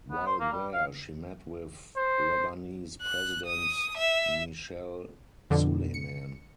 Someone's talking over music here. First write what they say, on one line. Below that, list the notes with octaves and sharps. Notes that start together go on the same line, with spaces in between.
While there she met with Lebanese president Michel Suleiman.
B3
C5
A#3
G3
F5
C5
F#6
D#6
E5
F2 B2 D3
C#7